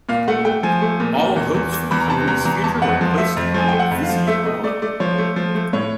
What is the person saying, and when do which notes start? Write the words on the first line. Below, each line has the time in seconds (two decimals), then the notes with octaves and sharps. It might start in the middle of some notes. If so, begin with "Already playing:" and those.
All hopes for the company's future were placed on Visi On.
0.09 A#2 F5
0.28 A3 F#5
0.45 A3 G5
0.63 F3 G#5
0.82 A3
1.00 A#2
1.18 A#2
1.36 E2
1.55 E2
1.73 E2
1.91 E2 B5
2.00 A#5
2.10 C3 A5
2.27 E2 A#5
2.45 E2 A#5
2.64 E2 A5
2.82 F2 F#5
3.01 F3
3.18 A3 E5
3.37 F2
3.54 F3 G#5
3.68 A3 G5
3.79 F#5
3.91 F2
4.03 F5
4.09 F3
4.27 A3 E5
4.45 A3 D#5
4.63 A3 D5
4.82 A3 D5
5.00 F3 C#5
5.18 A3
5.36 F3
5.55 A3
5.73 A2 C#5